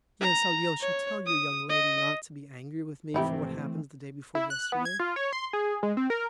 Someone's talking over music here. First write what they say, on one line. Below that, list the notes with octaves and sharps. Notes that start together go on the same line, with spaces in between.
Yes, Alyosha, tell your young lady not to be angry with me for what happened the day before yesterday....
A#5
C#5
D#6
D#5
G#1 C3 E3 A3 C4 D#4 E4 G4
E4
F#6
B3
G#6
F4
C#5
C6
G#4
G#3
C4
A#4